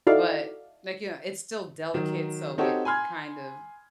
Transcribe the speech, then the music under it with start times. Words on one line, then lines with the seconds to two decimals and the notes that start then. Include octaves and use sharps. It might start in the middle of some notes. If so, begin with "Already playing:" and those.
but like, you know, it's still delicate, so it kind of
0.07 D#4 E4 F#4 A4 D5 F5
1.94 D#3 F#3
2.58 C4 D#4 F#4 G4 A4 C#5
2.85 G#5 B5 C6 F6 G#6